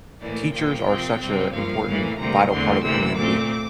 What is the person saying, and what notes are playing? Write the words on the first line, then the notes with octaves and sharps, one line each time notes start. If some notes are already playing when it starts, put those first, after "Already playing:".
teachers are such a important, vital part of the community,
A2 E3 A#3 D5
A#2 F3 A#3 G5
C3 F3 C4
C3 G3 C4
G2 F3 A#3 F5
A2 E3 A#3
D2 C3 G3 A#3 A#5
E2 D3 A3 C4 C6
D2 C3 E3 A#3 E6
A#2 A3 C4 D6